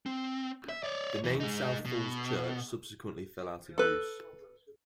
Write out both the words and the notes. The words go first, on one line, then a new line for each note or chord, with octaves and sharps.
The name South Falls Church subsequently fell out of use.
C4
E5
C#5 D5
F2 E3
G#3 D#4
B2
A4 B4